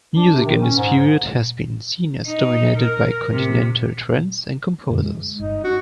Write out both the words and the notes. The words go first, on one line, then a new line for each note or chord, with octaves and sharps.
Music in this period has been seen as dominated by continental trends and composers.
D4
C3
D#3
C#4
G#2
D#4
A#4
C3
F#2 D3
G#3
G1 D#4
D4 F#4